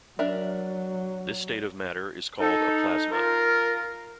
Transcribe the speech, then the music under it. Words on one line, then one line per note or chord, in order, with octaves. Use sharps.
This state of matter is called a plasma.
F#3 D4 A#4 E5
D#4 A4
F4 A#4